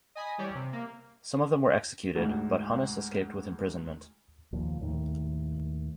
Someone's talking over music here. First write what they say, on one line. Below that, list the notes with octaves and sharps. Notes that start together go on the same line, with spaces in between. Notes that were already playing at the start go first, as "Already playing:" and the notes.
Some of them were executed, but Hunnis escaped with imprisonment.
D#5 G#5 B5 D#6
E3 G3 G4 C#5 D5
C3
A#3
D2 G#2
D#2 A#2 F3
D#2 A2 D#3